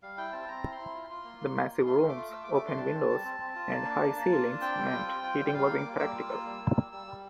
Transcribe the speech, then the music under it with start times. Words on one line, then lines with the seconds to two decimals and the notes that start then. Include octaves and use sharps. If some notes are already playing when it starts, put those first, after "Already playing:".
The massive rooms, open windows and high ceilings meant heating was impractical.
0.02 G3 F5
0.17 E4 G5
0.32 C4 A5
0.48 C4 A#5
0.64 E4
0.72 C6
0.79 E4
0.94 F4
1.10 F4
1.25 A#3
1.41 A#3
1.55 F4
1.71 F4
1.86 A3 C6
2.02 A3
2.09 D6
2.16 F4
2.32 A3 E6
2.44 D6
2.48 A3
2.55 D6
2.63 D4 C6
2.77 G3 A5
2.93 C4
3.09 G3
3.25 C4
3.40 C4
3.55 F4
3.70 A#3
3.85 D4
4.01 A#3
4.16 A#3
4.32 F4
4.47 D4
4.61 C4 G5
4.78 G3
4.93 F4
5.07 C4
5.23 F4
5.39 G3
5.48 G5
5.53 G3 F5
5.69 A#3
5.77 D6
5.85 A#3
5.99 G3 E6
6.15 F4
6.30 A#3
6.46 G3
6.62 A#3
6.76 G3
6.92 G3 E6
7.07 G3